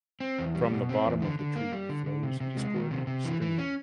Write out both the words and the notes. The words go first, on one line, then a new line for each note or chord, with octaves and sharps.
From the bottom of the tree flows eastward stream.
C4
E2
G3
B2
C4
E2
D3
D3
A#3
G3
D3
D3
C3
C3
G#3
D#3
C3
C3
E3
E3
C#4